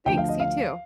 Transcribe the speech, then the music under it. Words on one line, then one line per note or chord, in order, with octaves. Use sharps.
Thanks you too.
D2 D3 F3 G5
F5
D#5
F5